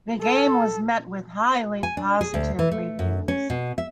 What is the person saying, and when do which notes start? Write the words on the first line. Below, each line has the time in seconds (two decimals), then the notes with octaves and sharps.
The game was met with highly positive reviews.
0.21 A4
1.83 G#5
1.97 D4
2.21 G#4
2.34 D2
2.59 E3
2.72 A3
2.99 F#2
3.28 C#4
3.50 B2
3.78 E5